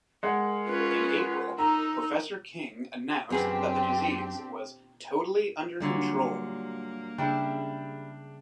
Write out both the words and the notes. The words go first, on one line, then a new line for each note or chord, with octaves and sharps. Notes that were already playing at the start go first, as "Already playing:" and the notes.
In April, Professor King announced that the disease was "totally under control".
G#3 A#4 F#5
C#4 F4 B4
D#4 A#5 E6
F#2 C4 D4 G4 G#4 B4
A#2 D3 F#3 G3 A#3
C#3 G3 D4 E4 E5 G5